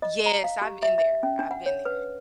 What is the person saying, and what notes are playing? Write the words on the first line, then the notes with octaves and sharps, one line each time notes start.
Yes, I've been there. I've been there.
D#5
A#5
F5
G4
E5
E5
C#4
D4
F#5
C#5
B4